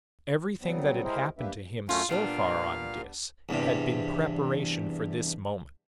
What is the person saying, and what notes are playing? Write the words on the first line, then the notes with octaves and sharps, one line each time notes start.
Everything that had happened to him so far on Dis had been preparation for this moment.
C#3 F#3 G3 B3 C4
G#3 E4 G4 G#4 A#4 C5
A#3 D4 G4 B4 E5
F#2 A3 C#4 F4
A#2 G3 B3 D4 F5
E2 G2 C3